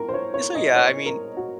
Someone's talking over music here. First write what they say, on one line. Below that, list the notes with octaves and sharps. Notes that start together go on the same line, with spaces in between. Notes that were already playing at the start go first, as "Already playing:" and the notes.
ye so, yeah, I mean,
Already playing: A2 A#4
C5
C#5
C#5
D#5
C#5
A#4
F#4